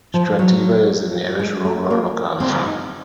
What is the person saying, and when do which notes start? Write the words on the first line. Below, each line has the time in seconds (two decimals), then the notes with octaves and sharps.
Strativa is the nearest rural locality.
0.14 F3
0.39 F#3
1.40 G#3
1.65 A3
1.90 A#3
2.40 C4
2.66 D#4